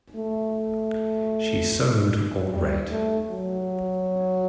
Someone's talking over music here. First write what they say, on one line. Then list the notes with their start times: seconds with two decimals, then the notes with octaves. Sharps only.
She sewed or read.
0.16 A3
2.51 G3
2.91 A3
3.30 F#3